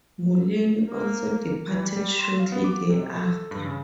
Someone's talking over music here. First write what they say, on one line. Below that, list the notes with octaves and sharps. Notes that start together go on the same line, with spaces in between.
Mullaney also departed shortly thereafter.
A#3
E3
G3
G3
C6
F5
B3
D6
C3
A4
G2
C#3